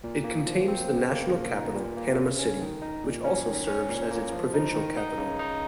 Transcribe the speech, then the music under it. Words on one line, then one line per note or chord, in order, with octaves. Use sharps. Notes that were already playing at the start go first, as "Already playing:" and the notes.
It contains the national capital Panama City, which also serves as its provincial capital.
A#2
A#3
F3
C4
C#3
A#3
A#2
D#4
A#2
A#3
C#3
C#4
D#3
D#4
A#2
C#4
D#3
C#4
A#2
A#3
F3
D#4
D#3
D#4
C#3
D#4